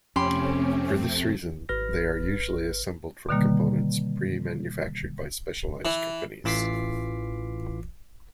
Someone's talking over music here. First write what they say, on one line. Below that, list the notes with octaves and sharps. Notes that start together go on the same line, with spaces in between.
For this reason they are usually assembled from components pre manufactured by specialized companies.
F2 C3 A3 C4 C#4 G4 B5 C6
G#1 B4 F6 A#6
B2 D3 D#3 G3 A#3
E3
A1 E3 F4 D6 B6 C7